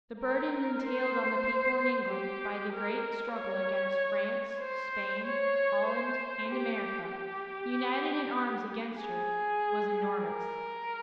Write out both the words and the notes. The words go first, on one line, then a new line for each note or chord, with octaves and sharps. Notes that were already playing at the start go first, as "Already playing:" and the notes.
The burden entailed on the people in England by the great struggle against France, Spain, Holland, and America, united in arms against her, was enormous.
A#4
C5
G4
A#4
C#5
C5
C#5
C5
G4
G4
G#4
A#4